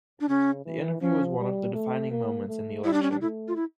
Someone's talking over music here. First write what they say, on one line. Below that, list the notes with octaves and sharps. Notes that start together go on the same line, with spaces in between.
The interview was one of the defining moments in the election.
D4
C#3 C#4
E3
F3 C#4
G3
A3
A#3
A3
G3 E4
D4
C#4
D4
A3 E4
F4
E4